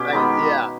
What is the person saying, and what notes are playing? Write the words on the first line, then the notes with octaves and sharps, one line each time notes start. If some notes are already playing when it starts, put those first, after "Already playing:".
Right, yeah.
Already playing: B2 C#4 G4
D#3 G#3 B3